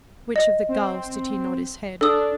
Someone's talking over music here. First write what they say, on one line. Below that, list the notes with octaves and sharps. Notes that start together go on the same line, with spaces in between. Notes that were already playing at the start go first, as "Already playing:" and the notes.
To which of the gulfs did he nod his head?
D#5
C4
D4 A4 D#6